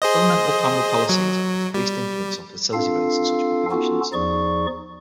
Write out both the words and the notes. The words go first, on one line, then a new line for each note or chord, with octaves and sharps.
Governmental family policies have a decreased influence on fertility rates in such populations.
G#4 C5 D#5
F#3
G3
C4 D4 F4 A4 F5
B3 C#4 D#4 F4 F#4 A4
E2 F3 D#4 G#4 D5 C#6